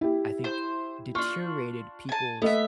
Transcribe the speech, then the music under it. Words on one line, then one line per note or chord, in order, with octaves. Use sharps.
I think, deteriorated people's
E4 G4
C5 C6
D4 F4 C#6
G#5 A5
A3 B3 D#5 E5